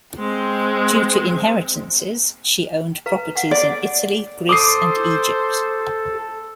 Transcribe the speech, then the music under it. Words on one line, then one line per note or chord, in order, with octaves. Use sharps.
Due to inheritances, she owned properties in Italy, Greece and Egypt.
G#3 C4
B4 F5 A#5
F5 F#5 G#5
D5 F#5
A4 C5 D6 D#6 C7